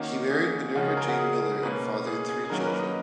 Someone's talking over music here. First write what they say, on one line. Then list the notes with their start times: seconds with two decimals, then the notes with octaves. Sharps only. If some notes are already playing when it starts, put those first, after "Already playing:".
He married Minerva Jane Miller and fathered three children.
Already playing: D#3 A#3 C#4 F#4
0.30 G#4
0.75 C#3 F3 G#3 C#4 F#4
0.85 G#4
0.97 A#4
1.08 F#4
1.19 G#4
1.62 B2 A#3 C#4 B4
2.06 G#4
2.29 G#4
2.44 G#4
2.50 D#3 F#3 A#3 C#4 A#4
2.66 B4
2.79 D#5